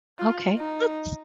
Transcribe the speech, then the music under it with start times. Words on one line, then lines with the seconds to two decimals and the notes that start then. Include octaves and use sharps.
Okay, that's
0.19 F4
0.58 D#4